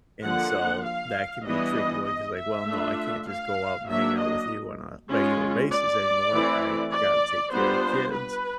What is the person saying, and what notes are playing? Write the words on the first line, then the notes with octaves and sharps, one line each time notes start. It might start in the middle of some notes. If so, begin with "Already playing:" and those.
and so that can be a tricky one 'cause, like, "Well, no, I can't just go out and hang out with you on a regular basis anymore. I gotta take care of kids,
D3 F3 A#3 F#5
F5
E3 G3 B3 D4 D#5
D#5
E5
A3 D4 F4
F5
F#3 A#3 D4 E5
D#5
G#3 C#4 F4
D5
E3 A3 C4 E4
D5
G3 B3 D4 F4 C5
B4